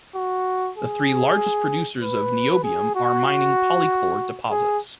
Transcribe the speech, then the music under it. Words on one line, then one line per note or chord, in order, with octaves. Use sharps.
The three largest producers of niobium ore are mining pyrochlore deposits.
F#4
G#4
B4
G#4
F#4
F#4
G#4